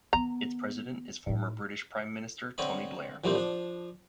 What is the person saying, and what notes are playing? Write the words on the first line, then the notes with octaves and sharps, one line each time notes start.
Its president is former British Prime Minister Tony Blair.
D#3 B3 A#5
A2 D#4
D3 C4 C#5 D#5 B5
A#2 E3 F3 G3 A3 C4
F3 D4